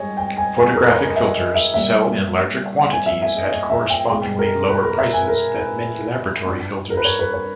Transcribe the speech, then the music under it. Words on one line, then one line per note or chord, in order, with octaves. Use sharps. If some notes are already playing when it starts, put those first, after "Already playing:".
Photographic filters sell in larger quantities at correspondingly lower prices than many laboratory filters.
Already playing: G#2 G3 C#5 D#5 G#5
G5
G#5
G#5
A#4
B4
C#5
D#5
E5
D#5
E5
A#2 G3 E5
G#5
E5
E5
D#5
C#5
E5
G5
B2 G#3 G5
A#4
B4
A#4
E5
G#5
A#4
B4
G2 G3
A#4
B4
C#5
B4
C#5